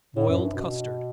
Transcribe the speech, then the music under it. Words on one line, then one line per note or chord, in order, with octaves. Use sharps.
Boiled Custard.
A2
F#2
G2
B2